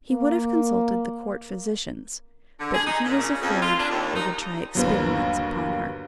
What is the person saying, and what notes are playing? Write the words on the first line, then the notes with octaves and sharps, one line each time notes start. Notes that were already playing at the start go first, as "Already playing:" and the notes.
He would have consulted the court physicians; but he was afraid they would try experiments upon her.
A#3
D3
G#4
D#4
A#2
C#3
F2
F4
D4
D#2
D#4
G1 D#2 F#3